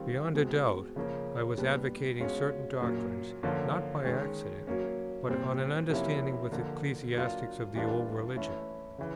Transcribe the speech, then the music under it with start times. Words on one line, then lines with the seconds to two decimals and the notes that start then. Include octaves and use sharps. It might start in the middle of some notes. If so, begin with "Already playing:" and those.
Beyond a doubt, I was advocating certain doctrines, not by accident, but on an understanding with ecclesiastics of the old religion.
Already playing: D#3 G3 C4 F4
0.35 B2 G#3 C4
0.96 C#3 F3 A#3 C#4
1.58 A#2 G3 B3 D4
2.20 B2 G#3 C#4 F4
2.81 A#2 F#3 A#3 C#4
3.43 D3 F3 A#3 C#4 F4
4.05 D#3 G#3 C#4
4.67 F#3 A#3 C#4
5.28 A#2 G3 C4
5.90 C3 F3 A#3 C#4 E4
6.52 D3 F3 A#3
7.14 F#3 A#3 D4 F4
7.75 E3 G3 A#3 D4 F4
8.36 E3 A3 C#4 E4
8.98 C#3 E3